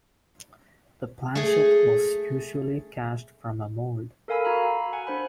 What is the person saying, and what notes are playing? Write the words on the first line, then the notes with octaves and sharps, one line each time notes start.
The planchet was usually cast from a mold.
A3 G#4
A4 A#4 F5 G#5 B5 E6
F#4 A#5 B5
F#5 G#5
D4 C5 B5